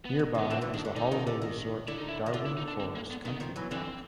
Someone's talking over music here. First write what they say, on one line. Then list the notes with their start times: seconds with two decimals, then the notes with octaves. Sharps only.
Nearby is the holiday resort Darwin Forest Country Park.
0.05 B3
0.19 D#3
0.35 D#3 B3
0.50 D3 E3 C4
0.61 D3 E3
0.74 D#3 D4
0.85 D3
0.96 D3 D#4
1.12 D#3
1.27 D3
1.42 D#3
1.88 D3 E4
1.98 D#4
2.09 E4
2.26 D#3
2.33 D3 F4
2.45 E4
2.57 D#4
2.68 D4
2.80 C4
2.95 A#3
3.10 B3
3.25 D#3 B3
3.40 D#3 F3
3.56 E3 F#3
3.71 D3 E3 C4